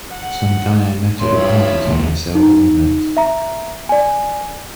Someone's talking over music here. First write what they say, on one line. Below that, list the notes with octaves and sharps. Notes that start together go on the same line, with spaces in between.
Some guy I met at a party told me so at any rate.
F#5
A2 C#5 C6
G2 F3 E4
C#2 A#2
D#4
E5 A#5
D5 G#5